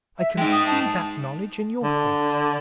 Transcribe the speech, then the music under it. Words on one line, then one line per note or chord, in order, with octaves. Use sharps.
I can see that knowledge in your face.
E5
G#3 D#4 G5
D#6
A5
D3